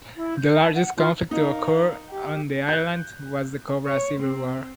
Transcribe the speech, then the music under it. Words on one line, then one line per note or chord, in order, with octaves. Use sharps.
The largest conflict to occur on the island was the Cobra Civil War.
E4
G6
A5
F#5
F4
D#4 A#4 F5
G4
F#6 G6
C#5
C4